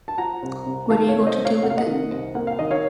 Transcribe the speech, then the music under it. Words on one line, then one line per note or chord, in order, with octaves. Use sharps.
What are you going to do with it?
A5
F3 F#5 A#5
C2
C2
D#3 F5 A5
C#5 F5
C3
C5 D#5
A3
C#5 F5
C3 F#5
F5
D#5 F#5
D#3
C2
A#3 F#5
F5
D#3 D#5
C#5 F5